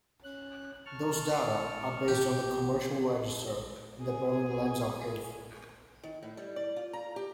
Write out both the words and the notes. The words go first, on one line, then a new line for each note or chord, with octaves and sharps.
Those data are based on the commercial register in the Berlin Landesarchiv.
C#4 F#6
A5 C#6 F6
A#2 G4
G#4 G#5
D#3
A2
G3
D5
F4
A#5
G4